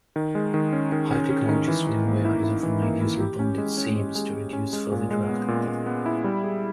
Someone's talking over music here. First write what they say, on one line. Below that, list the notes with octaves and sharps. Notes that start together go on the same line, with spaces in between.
High-technology swimwear is often made using bonded seams, to reduce further drag.
D#3
G#3
D#3
C#4
D#3
C#4
C#4
D#3
E3
E3
A#3
E4
E4
E3
A#3
E4
G4
C#4
G#3
C#4
C#4
G#3
G#3
C#4
G#3
A#2
G#3
B3
A#2
A#2
B3
E4
G3
G#4